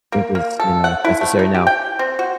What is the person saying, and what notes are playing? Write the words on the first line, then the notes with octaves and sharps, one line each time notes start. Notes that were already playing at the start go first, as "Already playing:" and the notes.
think is, you know, necessary. Now,
A#3
A#3
A4
F#5
E4
A3
D#4
G4
G5
C4
F#4